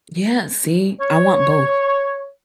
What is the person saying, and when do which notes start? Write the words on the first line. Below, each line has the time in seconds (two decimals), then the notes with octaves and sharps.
Yeah, see. I want both.
1.00 C#5